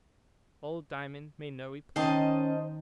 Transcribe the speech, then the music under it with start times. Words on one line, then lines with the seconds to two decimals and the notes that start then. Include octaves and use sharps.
Old Diamond made no reply.
1.96 D#3 C#4 C5 D#5 A5